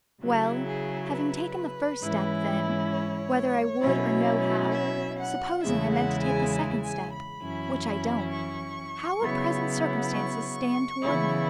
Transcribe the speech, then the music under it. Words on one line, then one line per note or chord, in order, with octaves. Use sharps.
Well, having taken the first step, then, whether I would or no, how--supposing I meant to take the second step, which I don't--how would present circumstances stand toward me?
C#3 F#3 E4
G#4
B4
G#2 E3 C#4 E4
C#5
B2 F#3 C#4 E4
E5
F#5
E2 C#3 G#3 E4 E5
F#5
G#5
G#5
G#5
B5
F#2 E3 C#4 E4
C#6
C#3 F#3 B3 E4
C#6
C#3 E3 B3 E4